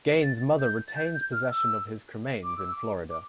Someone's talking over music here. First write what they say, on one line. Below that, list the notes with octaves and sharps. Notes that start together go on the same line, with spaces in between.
Gein's mother retains possession of his cremains in Florida.
A6
G6
A6
G6
G6
F6
E6
D6
E6
D6
D6